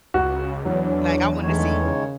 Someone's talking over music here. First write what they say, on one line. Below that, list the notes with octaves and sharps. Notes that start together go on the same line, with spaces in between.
Like, I wanted to see
C#2 F#4
E2 F#3 D4 C#5
D3 D#3 G#3 A3 C#5
C#3